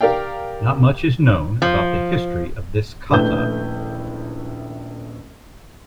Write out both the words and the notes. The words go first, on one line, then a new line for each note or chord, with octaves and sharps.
Not much is known about the history of this kata.
G4 A#4 D5 F5 G5
F3
D#1 A#1 A3 E4 B4 G6